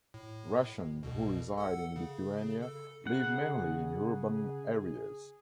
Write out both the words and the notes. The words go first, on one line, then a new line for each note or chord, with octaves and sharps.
Russians who reside in Lithuania live mainly in urban areas.
A2
C2 B2
A4 F#5
C#3
A4
C#3 G#4 F#5